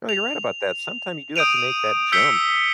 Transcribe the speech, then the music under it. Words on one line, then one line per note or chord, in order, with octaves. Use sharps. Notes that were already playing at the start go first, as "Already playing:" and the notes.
No, you're right about that, sometime you do have to make that jump
F7
D#6 G6 D7 D#7 F7
E6 G6 B6 C#7 G7